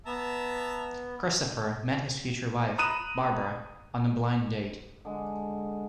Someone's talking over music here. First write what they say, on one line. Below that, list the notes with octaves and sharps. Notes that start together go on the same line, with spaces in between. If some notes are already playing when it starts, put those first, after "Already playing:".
Christopher met his future wife, Barbara, on a blind date.
B3 E5 A5 A#5
A#5 B5 D#6 F#6 D#7 E7
D3 G#3